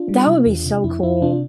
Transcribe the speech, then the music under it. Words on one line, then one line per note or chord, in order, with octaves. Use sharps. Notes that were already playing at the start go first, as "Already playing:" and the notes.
That would be so cool.
Already playing: D4 F4
G3
C3
E2
C3
F2 E4
F2 E4
C3 D4 F4